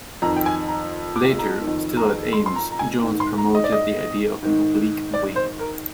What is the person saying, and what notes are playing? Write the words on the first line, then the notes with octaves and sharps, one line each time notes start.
Later, still at Ames, Jones promoted the idea of an oblique wing.
F2 D#3 A#5
G5
G#5
A#5
D6
A#5
D#3
F2
A#5
C6
C6
A#5
A#5
G#5
G#2
D#3
C6
A#5
D#5
D5
D#5
G#2 D#3
D5
C5
A#4